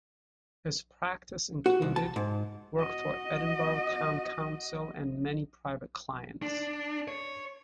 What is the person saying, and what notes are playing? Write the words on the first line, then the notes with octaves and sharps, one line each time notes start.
His practice included work for Edinburgh town council and many private clients.
F#4
C2
A5
G#2
F#4 D#5
D4
C#5